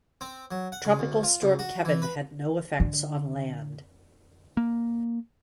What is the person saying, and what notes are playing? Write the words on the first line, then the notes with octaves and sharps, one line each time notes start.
Tropical Storm Kevin had no effects on land.
C4
F#3
F#5
C#3
D2
F4
C#2
F#4
E3
B4
D3
A#3